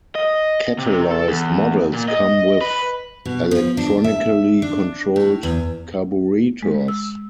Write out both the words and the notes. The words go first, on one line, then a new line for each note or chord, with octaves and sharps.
Catalyzed models come with electronically controlled carburetors.
D#5
C3
A4
E2
A#2
D#5
B4
B2
F3
D4
E5
D4
A2
E2
G#3
E6